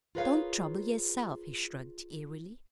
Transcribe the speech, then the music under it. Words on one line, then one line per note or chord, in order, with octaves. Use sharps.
"Don't trouble yerself," he shrugged airily.
F4 G#4 A#4 B4 C#5 F5